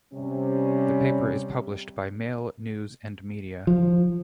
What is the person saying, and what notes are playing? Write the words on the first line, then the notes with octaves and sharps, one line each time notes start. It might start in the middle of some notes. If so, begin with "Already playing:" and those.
The paper is published by Mail News and Media.
C3 G3 C#4
F3